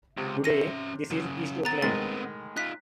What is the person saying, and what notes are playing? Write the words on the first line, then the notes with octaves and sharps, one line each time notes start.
Today this is East Oakland.
C#2 C3
C#4 E5 A#6 D#7
F#2 C#3
B3 C4 A#5 A6
A2 D#3 G#3 A6
D#4 F4 F#6 B6